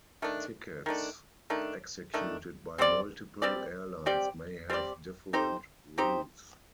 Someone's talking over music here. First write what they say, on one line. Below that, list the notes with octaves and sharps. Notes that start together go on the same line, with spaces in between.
Tickets executed by multiple airlines may have different rules.
D#3 A3 D4
D#3 A3 D4
D#3 A3 D4
D#3 A3 D4
G3 C4 G4 D5
G3 C4 G4 D5
G3 C4 G4 D5
G3 C4 G4 D5
C4 D#4 G4 C5
C4 D#4 G4 C5